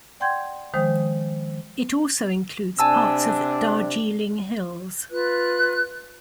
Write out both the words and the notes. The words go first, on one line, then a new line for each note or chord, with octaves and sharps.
It also includes parts of Darjeeling Hills.
D5 F#5 G5 C6 G6 G#6
D#3 F3 G#3 C5 G5 D#6
C3 D4 G#5 A5 E6
F4 B4 F#6